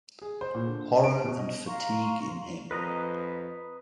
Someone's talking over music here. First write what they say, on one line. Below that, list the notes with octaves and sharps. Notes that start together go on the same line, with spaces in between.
Horror and fatigue in him.
G#4
C5
A#2
D3
D7
B2
D#5
F5 A#5 C6 C#6
F2 B4 D#5 A#5